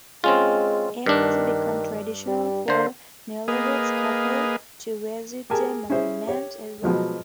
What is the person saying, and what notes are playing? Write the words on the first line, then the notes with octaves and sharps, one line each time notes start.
It has become traditional for newlywed couples to visit the monument as well.
G#3 C4 C#4 F4
G2 D#3 D4
G3
D3 A#3 C5
A#3 G#4 B4 D#5 F5
G4 G#4 A#4 G#5 A5
C#4 E4 G#4 C5 E5
G4 C#5
B2 F3 F#3 G#3